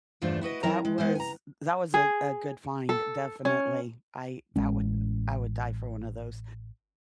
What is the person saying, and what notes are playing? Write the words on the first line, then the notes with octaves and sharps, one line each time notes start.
M that was that was a a good find, definitely. I that wa u I would die for one of those.
E2 G2 A3 D4 F4 C5
E4 F#4 B4 D#5
F#3 C4 E4 A#4 E5 A#5
G#3
G#3 B3 C4 C5
G#5 A#5
G#4
A4
C#4
A1 G#3 C#4